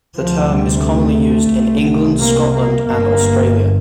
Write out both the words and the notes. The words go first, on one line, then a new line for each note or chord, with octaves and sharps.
The term is commonly used in England, Scotland and Australia.
D2 C3 F3
G3
A3
C2 C3
A#3
A#3
G1 G2 A#3